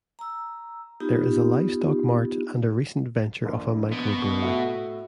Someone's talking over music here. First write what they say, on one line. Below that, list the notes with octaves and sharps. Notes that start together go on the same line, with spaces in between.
There is a livestock mart and a recent venture of a microbrewery.
A#5 E6
B3 D#4 F4 G4
A#1
B2
A2 F#4 E5